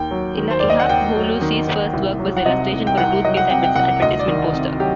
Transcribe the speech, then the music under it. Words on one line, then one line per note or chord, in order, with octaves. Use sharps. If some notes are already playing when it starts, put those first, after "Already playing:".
Ihap Hulusi's first work was the illustration for a toothpaste advertisement poster.
Already playing: D#2 G5
F#3
D#3
C5
D#2 D5
D#5
F#5
D#2 G5
F#3
D#3
D#2
C2
F#3
F#5
C3 D#5
C2
G5
C2 F#5
F#3 D#5
F#5
C3 G5
G5
C2 F#5
D2 D#5
D5
D#3
C3
F#3 G4